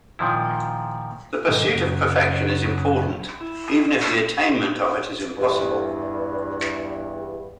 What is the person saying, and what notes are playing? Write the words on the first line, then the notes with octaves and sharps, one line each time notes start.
The pursuit of perfection is important, even if the attainment of it impossible.
A#2 D#3 F3 E4
G#2 B2 D3 D#3 F#3 G#3
F#2 C#3 F#3
E4
E2 G2